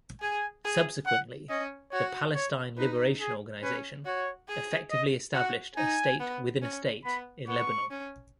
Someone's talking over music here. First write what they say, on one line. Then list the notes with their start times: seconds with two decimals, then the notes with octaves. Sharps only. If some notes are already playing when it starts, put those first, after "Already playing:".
Subsequently, the Palestine Liberation Organization effectively established "a state within a state" in Lebanon.
0.21 G#4 G#5
0.65 G#4
1.06 F#5
1.50 C#4 D#5
1.92 F#4 C#5
2.35 C#5
2.78 D#4 B4
3.21 G#4
3.63 C#4 B4
4.06 F#4 C#5
4.48 G#4
4.91 D#5
5.33 F#4 F#5
5.77 D#4 G#5
6.20 B3
6.62 C#4
7.05 B3 B5
7.48 B3 C#6
7.90 C#4